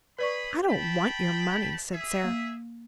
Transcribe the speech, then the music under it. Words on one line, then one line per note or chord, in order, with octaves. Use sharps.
"I don't want your money," said Sara.
G#4 B4 D5 B5 C#6
G5 A5 B5
G#4 E5
A#3